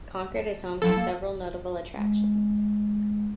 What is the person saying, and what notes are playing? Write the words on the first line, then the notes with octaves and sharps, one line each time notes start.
Concord is home to several notable attractions.
A5
F3 F#3 E4 A4
A#3
G#3